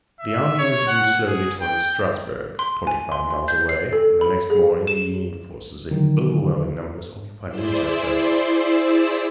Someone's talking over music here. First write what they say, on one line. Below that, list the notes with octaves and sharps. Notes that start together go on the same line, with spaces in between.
The army withdrew slowly toward Strasburg, twenty-five miles away, and the next morning the Union forces in overwhelming numbers occupied Winchester.
E5
C#5
F#5
G#4
G5
C6
G#5
C6
C6
G6
C7
A4
B5
G#4
E7
D3 D#3 F#3 A#4
E4 G#4 C5 D5 C6 E6